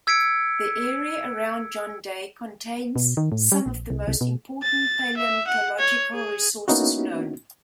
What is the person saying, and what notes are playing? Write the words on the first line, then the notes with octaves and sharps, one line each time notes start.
The area around John Day contains some of the most important paleontological resources known.
E6 G#6 B6 C#7 D7
B2
D#3
A2
G3
A#1
C2
C2
B2
A6
E5
F#5
C#5
G#4
A#3 B3 C#4 D#4 E4 F#4